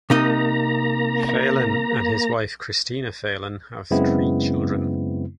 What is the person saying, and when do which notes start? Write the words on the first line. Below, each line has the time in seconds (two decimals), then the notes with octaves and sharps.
Phalen and his wife Christina Phalen have three children.
0.10 C3 A#3 D#4 D#5 A#5
3.91 F#2 C#3 G#3 B3 C4 E4